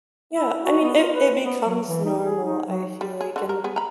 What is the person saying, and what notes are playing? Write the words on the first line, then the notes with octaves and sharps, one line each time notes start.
Yeah, I mean, it it becomes normal, I feel like, and,
E4
F#4
B3
F4
B4
B3
F#3
E3
D#4
G#4
D#4
F#3
G3
G#4
D3 F#4
A#4
B3 G#4
A#5 B5